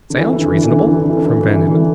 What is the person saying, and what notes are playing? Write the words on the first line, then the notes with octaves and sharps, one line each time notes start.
"Sounds reasonable," from Van Emmon.
D3
E3
D3
E3
D3
E3
D3
E3
D3
E3
D3
E3
D3
E3
D3
E3
D3
E3
D3
E3
D3
E3
D3